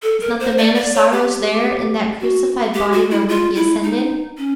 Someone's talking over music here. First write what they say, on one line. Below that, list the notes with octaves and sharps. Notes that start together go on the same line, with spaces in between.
Is not the Man of Sorrows there in that crucified body wherewith he ascended?
A4
A#4
C5
D5
D5
C#5
G4
F#4
G4
F#4
E4
F4
E4
D#4
C#4